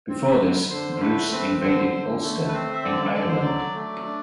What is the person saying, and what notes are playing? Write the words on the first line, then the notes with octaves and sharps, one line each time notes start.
Before this, Bruce invaded Ulster in Ireland.
C4
B4
D3
D3 C5
C5
A3 B4
C4 B4
D3 C5
D3
A3
B4
C4 C5
E5
D3 D5
D3 D5
C5
F#3 D5
A3
D4